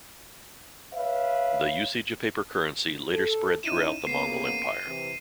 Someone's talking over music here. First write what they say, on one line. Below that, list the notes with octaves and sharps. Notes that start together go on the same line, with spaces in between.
The usage of paper currency later spread throughout the Mongol Empire.
B4 C#5 E5 F5
A4
C#4 D#4 E4 D#7 E7
C#3 A#3 B3 C7
D#7
C3 E3